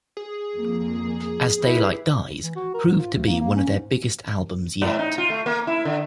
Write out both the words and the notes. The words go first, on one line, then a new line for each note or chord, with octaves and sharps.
"As Daylight Dies" proved to be one of their biggest albums yet.
G#4
F2 A#3
E4 G4 B4
E3
F#4
A#4
G#2
F4
D2
A#3
A#3
C#4
G#2
G#2
D#4
F4
A3
A#3
E4
D3